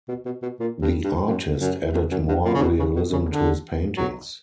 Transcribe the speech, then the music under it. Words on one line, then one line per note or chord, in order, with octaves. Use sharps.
The artist added more realism to his paintings.
B2
B2
B2
A#2
G2
G2
F#2
F#2
E2
F#2
G2
A#2
C#3
B2
C#3
B2
C#3
D3
F#3